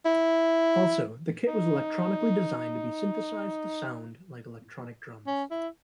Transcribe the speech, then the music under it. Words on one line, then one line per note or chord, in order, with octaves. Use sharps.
Also, the kit was electronically designed to be "synthesized" to sound like electronic drums.
E4
D#4
C#4
E4